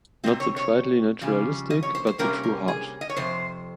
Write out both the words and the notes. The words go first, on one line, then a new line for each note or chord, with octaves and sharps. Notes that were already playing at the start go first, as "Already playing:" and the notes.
Not the tritely naturalistic, but the true heart.
C3 G3 C4 D#5
C#5
C#5
F2 C#3 G3
D#5
C#5
C5
C5
C3 G3 A#3 C#4 A#4
A#4
G#4
D#5
C#5
F2 C3 C5